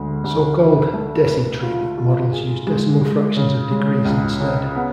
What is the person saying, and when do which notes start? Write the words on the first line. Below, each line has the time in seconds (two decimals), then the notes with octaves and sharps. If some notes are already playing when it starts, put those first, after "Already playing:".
So-called "decitrig" models use decimal fractions of degrees instead.
Already playing: D2 G#3
0.24 D2
0.59 B4
0.94 A3
1.29 B4
1.63 F4
1.98 F4
2.32 G#4
2.67 G#3
3.01 G#3
3.37 C#3
3.71 G#3
4.05 C#2
4.40 C#3
4.76 B3